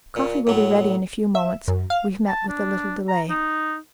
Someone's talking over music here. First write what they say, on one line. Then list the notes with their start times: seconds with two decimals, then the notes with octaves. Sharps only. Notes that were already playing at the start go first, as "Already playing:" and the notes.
"Coffee will be ready in a few moments. We've met with a little delay."
0.16 A#2
0.47 A2 F#3
1.35 E5
1.68 F#2
1.90 F5
2.27 A5
2.48 D4
3.08 A#5
3.29 D#4